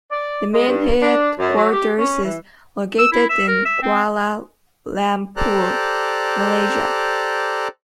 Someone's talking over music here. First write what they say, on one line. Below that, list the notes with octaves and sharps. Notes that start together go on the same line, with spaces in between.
The main headquarters is located in Kuala Lumpur, Malaysia.
D5
G#3
G2
D4
F#2
F#3
G4
C#4
E3
E6
E4
E5
A#4
E5
C4
G4 A4 C5 D5 A#5 F#6